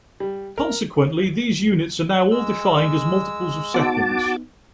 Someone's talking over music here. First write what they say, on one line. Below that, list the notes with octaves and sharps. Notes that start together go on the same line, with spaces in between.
Consequently, these units are now all defined as multiples of seconds.
G3
A#4
G#3 E6
B3 D#4 F#4 A5 D6